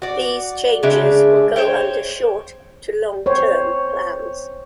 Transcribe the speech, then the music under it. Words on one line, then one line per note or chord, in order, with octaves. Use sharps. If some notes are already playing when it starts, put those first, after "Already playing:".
These changes will go under short to long term plans.
F#4 D5
C#3 G#3 D4 E5
C5 C#5 G5
C5 C#5